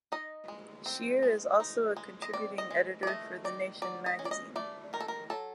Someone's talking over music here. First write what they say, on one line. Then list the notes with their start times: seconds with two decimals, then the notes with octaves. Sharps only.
Scheer is also a contributing editor for the "Nation" magazine.
0.12 D#4 D#5
0.48 G#3
0.86 C4
1.23 G#3
1.60 D#4
1.97 G#3
2.22 D#5
2.33 C4 D5
2.58 D#5
2.71 G#3
3.03 D5
3.07 A3 D#5
3.44 D#3 D5
3.82 F#3 D5
4.06 D#5
4.19 C#4
4.25 D5
4.31 D#5
4.56 A3 D5
4.93 D#3 A#4
5.00 A4
5.08 A#4
5.30 F#3 A4